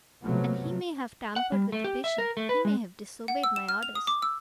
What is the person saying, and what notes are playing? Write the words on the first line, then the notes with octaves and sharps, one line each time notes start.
And he may have tampered with the patient--he may have disobeyed my orders.
C3 F3 F#3 A3 B3
F#5
G3
A3
G4
E5
A#4
A3
B4
G#3
F#5
E6
E7
F6
F7
D#6
D6
E6